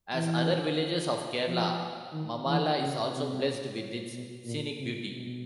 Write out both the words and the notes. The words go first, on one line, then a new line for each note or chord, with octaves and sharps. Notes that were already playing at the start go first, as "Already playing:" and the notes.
As other villages of Kerala, Mamala is also blessed with its scenic beauty.
E3
F3
D#3
E3
C#3
C3
B2
A#2
C3
B2